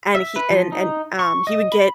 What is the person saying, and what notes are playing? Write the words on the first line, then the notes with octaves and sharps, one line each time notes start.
and he and and, um, he would get
E5
B4
F3
D#4
C#6
D#5
B5